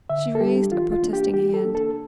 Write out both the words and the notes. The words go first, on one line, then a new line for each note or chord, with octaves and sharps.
She raised a protesting hand.
D3 E5
A4
G3 D4 G4
E3 F4
F4
A#3 D4
G4
E3 G4
A4
A#3 D4
A4